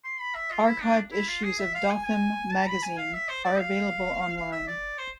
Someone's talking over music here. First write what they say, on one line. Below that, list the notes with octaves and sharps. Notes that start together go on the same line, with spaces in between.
Archived issues of "Dothan Magazine" are available online.
C6
B5
E5
F4
E4
D4
E4
F4
G#4
E5
F5
G#5
G#5
A5
B5
G#5
F5
E5
C5
D5
F5
F5
E5
D5
C5